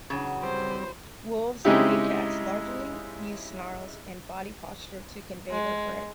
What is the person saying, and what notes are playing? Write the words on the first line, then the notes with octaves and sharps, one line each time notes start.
Wolves and big cats largely use snarls and body posture to convey their threat.
C#3 E3 F#3
G3 C4 G4 C5
C#3 G#3 C4 D#4 E4 G4
G#3